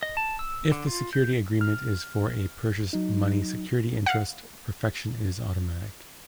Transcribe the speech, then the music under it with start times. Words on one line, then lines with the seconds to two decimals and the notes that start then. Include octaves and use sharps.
If the security agreement is for a purchase money security interest, perfection is automatic.
0.03 D#5
0.17 A5
0.39 E6
0.72 D3
0.87 F4
1.13 G6
1.61 F6
2.93 F#3 D#4
4.06 F5 F#5